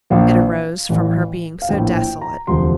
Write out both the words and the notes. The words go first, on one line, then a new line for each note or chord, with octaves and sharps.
It arose from her being so desolate.
A#1 A#2 F3 F5
A1 A2 E3
F5
A#1 A2 F3 G5
G5
A#5
E1 D2 C3 F3 C6